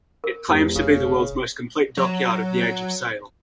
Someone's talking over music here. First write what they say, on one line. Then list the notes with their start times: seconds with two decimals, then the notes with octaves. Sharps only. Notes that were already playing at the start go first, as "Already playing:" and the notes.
It claims to be the world's most complete dockyard of the Age of Sail.
0.24 A#4
0.48 F1 E2
0.75 F#1 C#3
1.97 F#3